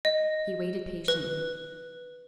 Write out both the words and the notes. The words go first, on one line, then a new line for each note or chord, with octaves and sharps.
He waited patiently.
D#5
B4